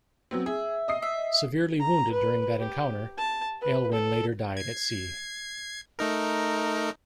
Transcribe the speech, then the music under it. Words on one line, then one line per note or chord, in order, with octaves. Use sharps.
Severely wounded during that encounter, Aylwin later died at sea.
F#3 B3 C4
G#4 E5
D#5 D#6 C7
E5
A#5
B4
G4
A5
B4
A4
G#6 C7
A3 D#4 A#4